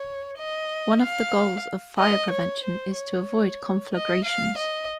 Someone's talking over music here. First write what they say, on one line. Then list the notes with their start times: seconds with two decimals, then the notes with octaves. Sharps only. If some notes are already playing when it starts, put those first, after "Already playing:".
One of the goals of fire prevention is to avoid conflagrations.
Already playing: C#5
0.38 D#5
1.02 F5
1.98 D#5
2.31 C#5
2.64 C5
2.96 C#5
3.94 D#5
4.25 F5
4.58 D#5